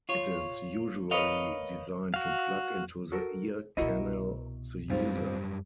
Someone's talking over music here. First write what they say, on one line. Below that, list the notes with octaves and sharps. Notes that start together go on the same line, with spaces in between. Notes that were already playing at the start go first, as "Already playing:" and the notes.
It is usually designed to plug into the ear canal of the user.
F4 C#5
A#4 B4 C#5 D#5 F5
F#4 F5
F#4 A4 A#4
C2 B2 E4 F#4 A#4 D#5 E5
F#2 G3 C4 F4 C5